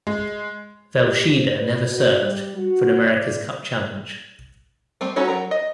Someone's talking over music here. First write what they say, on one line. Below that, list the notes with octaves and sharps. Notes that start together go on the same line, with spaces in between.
"Velsheda" never served for an America's Cup challenge.
G#3
G4
B4
B2
G3
F#4
D5
G3 A3 C4
C#4 D#4 F#4 A4 C#5
F#3 A#4 A#5
D#5